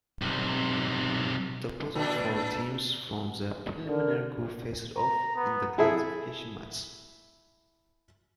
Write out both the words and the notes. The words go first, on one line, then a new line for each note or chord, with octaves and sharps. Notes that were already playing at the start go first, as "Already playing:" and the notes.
The bottom four teams from the preliminary group faced off in the classification matches.
B1 C3
A#2 D4
D3 A#4
A#5
B3
E4 G#4 A4 E5